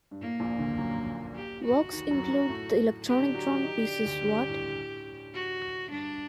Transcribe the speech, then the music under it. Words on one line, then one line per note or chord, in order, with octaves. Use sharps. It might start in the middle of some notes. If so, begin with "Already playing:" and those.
Works include the electronic drone pieces What??
G2
A2 A#3
A#1 A#2
D2 D3
F#2 F#3
G4
F#4
D#2 D#3
F#2 F#3
F#2 F#3
A2 A3
G4
D3 D4
F#3 F#4
F#3 F#4
D#3 D#4
D3 D4
D2 D3
G2
A2
F#4
G2 D4